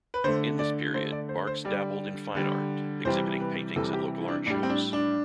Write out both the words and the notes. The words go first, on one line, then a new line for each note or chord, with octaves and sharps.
In this period Barks dabbled in fine art, exhibiting paintings at local art shows.
B4
D3 A3 C5
D5
D3 A3 C5
D5
C5
C5
D3 G3 D5
D3 G3
C3 E3 G3 C5
B4
C3 E3 G3 A4
G4
E4
D4
A2 G3 D4
C4
D4
D4